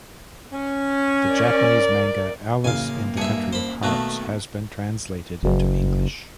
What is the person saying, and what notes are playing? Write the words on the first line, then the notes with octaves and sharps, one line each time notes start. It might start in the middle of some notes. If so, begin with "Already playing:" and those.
The Japanese manga "Alice in the Country of Hearts" has been translated into English.
C#4
A#4 D5
A1 F#2 C#3 A#3 F5 G#5
G2 G#4 E5 A5 C#7
C5 B5
B1 B2 D#3 A3 F5 A5 F#6
F#1